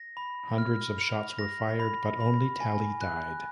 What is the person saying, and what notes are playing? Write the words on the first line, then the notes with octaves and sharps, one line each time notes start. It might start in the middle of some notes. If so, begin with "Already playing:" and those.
Hundreds of shots were fired, but only Talley died.
Already playing: A#6
B5
F6
F7
A#6
B5
B5
G#5
F#6